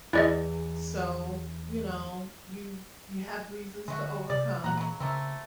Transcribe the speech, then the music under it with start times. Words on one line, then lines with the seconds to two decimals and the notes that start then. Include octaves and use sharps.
so, you know, you you have reasons to overcome
0.13 E2 E4 D5 D#5
3.88 D3 G#3 A3 F#4
4.30 C3 D5
4.64 A#2 E3 A#3 F#5 A#5
4.77 C#3 F#3
5.00 C#3 A3 A#3 C4